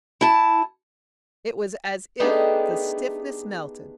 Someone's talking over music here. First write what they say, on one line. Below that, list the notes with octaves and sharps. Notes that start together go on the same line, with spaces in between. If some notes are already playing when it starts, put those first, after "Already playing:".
It was as if the stiffness melted.
E4 A5
A3 B3 D4 D#4 G4 G#4